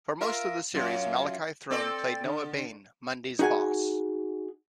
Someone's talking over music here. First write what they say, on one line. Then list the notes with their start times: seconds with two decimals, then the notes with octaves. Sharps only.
For most of the series, Malachi Throne played Noah Bain, Mundy's boss.
0.21 F4 A#4 E5
0.74 F#2 F4
1.71 C4 A4 D5
2.24 D3
3.39 D#4 F#4 G#4 F#5 G#5